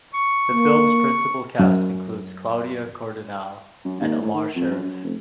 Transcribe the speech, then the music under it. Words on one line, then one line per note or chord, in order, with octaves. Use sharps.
The film's principal cast includes Claudia Cardinale and Omar Sharif.
C#6
A#3
F#2
F#2
D#2
A2
D#3
F2
F#2
F#2
F1